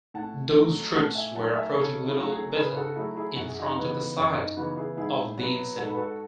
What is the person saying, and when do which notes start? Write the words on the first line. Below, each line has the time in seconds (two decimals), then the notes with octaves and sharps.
Those troops were approaching Little Bethel in front of the site of the incident.
0.14 A2 F#5 A5
0.55 F#3 A3
0.95 A2 F#5 A5
1.15 E5 G#5
1.35 F#3 A3 F#5 A5
1.55 E5 G#5
1.75 C#3 A4 C#5
2.07 E4
2.15 F#3 A3 F#4
2.32 G#4
2.43 A4
2.55 C#3 G#4 B4
2.76 F#4 A4
2.96 F#3 A3 E4 G#4
3.16 E4 G#4
3.36 F#2 F#4
3.48 G#4
3.59 D#4 F#4
3.77 C#3 E3 B3
4.17 F#2 C#4 E4
4.38 D#4
4.57 C#3 E3 B3 D#4 F#4
4.77 E4 G#4
4.97 G#2 E4 G#4
5.37 F#3 B3
5.77 G#2 F#4 A4
5.89 B4
5.97 F#4 A4